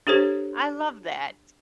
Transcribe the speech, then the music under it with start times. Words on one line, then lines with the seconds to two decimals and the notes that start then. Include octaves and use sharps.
I love that.
0.07 D4 G4 A4 C5 C#5